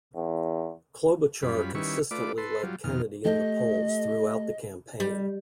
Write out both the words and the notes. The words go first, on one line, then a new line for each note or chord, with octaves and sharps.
Klobuchar consistently led Kennedy in the polls throughout the campaign.
E2
F#2 G3 C#4 F4 B5
D#3 G3 C#4 E4 B4 C#6
A3 F4 B4 D5 D6
A4 B4 C6
F#3 G3 F4
F2 B2 D#3 F6
A3 G4 A4 D#5
G3